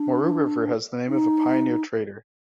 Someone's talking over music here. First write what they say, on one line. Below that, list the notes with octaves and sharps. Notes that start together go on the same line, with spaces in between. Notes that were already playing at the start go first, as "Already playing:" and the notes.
Moreau River has the name of a pioneer trader.
Already playing: D4
D#4